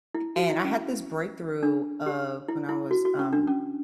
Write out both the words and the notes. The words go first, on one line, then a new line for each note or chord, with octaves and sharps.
And I had this breakthrough of when I was, um
E4
F#4
E4
C#4
D4
G4
E4
E4
F#4
F#4
C#4
D4
C#4